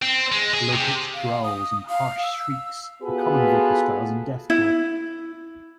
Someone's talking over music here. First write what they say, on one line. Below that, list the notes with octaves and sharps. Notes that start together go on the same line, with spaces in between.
Low-pitched growls and harsh shrieks are common vocal styles in deathcore.
C4
G#3
G#4
C3
F5
D#6
F5
E6
B3 F4 F#4 G#4 A4 B4
E4